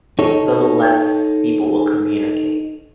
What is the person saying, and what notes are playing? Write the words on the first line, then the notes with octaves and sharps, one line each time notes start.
the less people will communicate.
D#4 A4 C#5